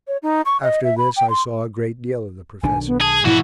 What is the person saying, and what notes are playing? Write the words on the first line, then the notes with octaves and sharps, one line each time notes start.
After this I saw a great deal of the professor.
C#5
D#4
C#6
D#5
E5
B5
G5
C6
B1 D#3 D4 G#5
B3
G#4 A5
G#2 B2 E3 F3 E4 F#4